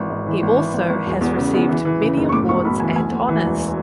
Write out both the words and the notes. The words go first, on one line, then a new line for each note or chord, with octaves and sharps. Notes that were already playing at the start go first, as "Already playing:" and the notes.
He also has received many awards and honors.
Already playing: G#1 E3
G#2
E3
G#1
E3
G#1
G#1
E1
E2
C#3
E2
E3
E3
C#3
F#1
C#6
A2 D6
B1 C#6
B1 B5
E3 G#5
D2 G#5
D2
E3
E1